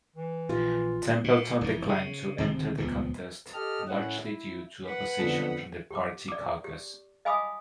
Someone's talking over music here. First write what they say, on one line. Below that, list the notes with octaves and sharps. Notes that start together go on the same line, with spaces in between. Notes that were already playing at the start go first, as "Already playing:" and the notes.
Templeton declined to enter the contest, largely due to opposition from the party caucus.
E3
A#1 F4
A#2
F1 F2 E3
C#3
D1 C3 D#3 C4
D#1 C#2 F3 B3
G4 A4 D#5 F6
A2 C#4 E4 F#5
E4
B4 F#5
F2 D3 B3
G4 D6
D5 D6
G4
D#5 F5 G#5 B5 D6 D#6